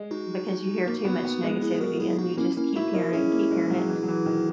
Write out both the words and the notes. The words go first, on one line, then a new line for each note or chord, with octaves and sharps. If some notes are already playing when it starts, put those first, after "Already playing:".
because you hear too much negativity, and you just keep hearing it and keep hearing it,
Already playing: G#3
D#4 F#4
A#3
B3
B3
G#3
E4 G#4
F#4 A#4
E4 G#4
D#4 F#4
A#3 C#4 E4
A#3 C#4 E4
D#4 E4 F#4
D#4 F#4 A#4
C#4 E4 G#4
A#3
G#3
F#3
E3
F#3
E3
D#3